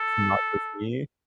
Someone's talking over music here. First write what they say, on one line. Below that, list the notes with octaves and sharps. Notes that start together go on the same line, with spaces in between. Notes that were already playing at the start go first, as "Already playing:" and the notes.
not just me."
Already playing: A4